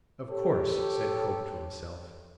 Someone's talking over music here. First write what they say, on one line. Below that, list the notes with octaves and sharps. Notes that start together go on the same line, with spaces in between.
"Of course," said Cope to himself.
G4 A4 C#5